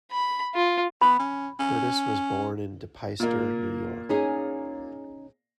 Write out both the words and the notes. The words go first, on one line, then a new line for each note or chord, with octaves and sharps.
Curtis was born in De Peyster, New York.
B5
F4
B3 B5
C#4
C#4
A#2 A#3
C#4 D#4 G#4